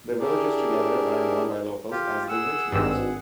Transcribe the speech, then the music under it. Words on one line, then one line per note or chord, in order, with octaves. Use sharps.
The villages together are known by locals as "The Wychwoods".
D4 E4 G4 G#4 A#4 D5
F4 G4
G#4 F#5 E6
G#1 G2